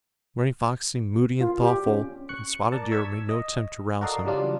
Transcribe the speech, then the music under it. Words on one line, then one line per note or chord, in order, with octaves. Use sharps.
Running Fox seemed moody and thoughtful, and Spotted Deer made no attempt to rouse him.
F4
G4
C#4
C#6 F#6 C#7
A#4 D5 A5
C#6 E6 G#6 B6
D#5
F#4 A4 A#4 D5 D#5 F5
C#3 E3 F#3 G3 D4 F4